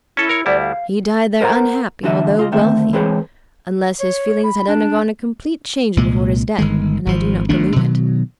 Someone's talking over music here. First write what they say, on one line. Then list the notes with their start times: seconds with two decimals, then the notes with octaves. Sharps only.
He died there unhappy, although wealthy, unless his feelings had undergone a complete change before his death, and I do not believe it.
0.17 C#4 E4 A4
0.29 A#4 C#5
0.46 D2 G3 E4 D5
0.59 F5
1.41 A#4 C5 E5 F#5 A#5
2.03 D2 D3 E3 F#4 D#5 E5
2.37 C#2 F4 D#5
2.52 D2 D#3 A3 C4 E5
2.93 E3 G#3 C4 G#4 B4 C#5
4.00 C#5
4.44 B5
4.68 D4
5.97 C2 A#2 G#3
6.58 G1 D#3 G#3
7.06 G#1 F3
7.49 G1 D#3 A3 D4
7.76 B2 D#3 F#3